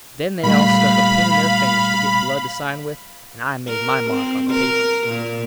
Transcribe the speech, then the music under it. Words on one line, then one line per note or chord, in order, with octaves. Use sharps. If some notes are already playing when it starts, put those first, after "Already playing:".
Then they all stuck a pin in their fingers to get blood to sign with, and I made my mark on the paper.
A#2 G3 A3 F5 B5
A#4
C4
A#4
A#2